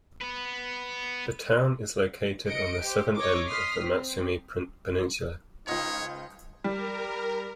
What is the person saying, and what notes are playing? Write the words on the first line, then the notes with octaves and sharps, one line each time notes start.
The town is located on the southern end of the Matsumae Peninsula.
B3 B4
D#5 C#7 D7
G4 C5
C#5 D#5 C#6 D6
C6 D#6 F6 B6 C7
C4
C#2 D#4 F4 C5 C#5 D#5 G5 F7
G3 A#4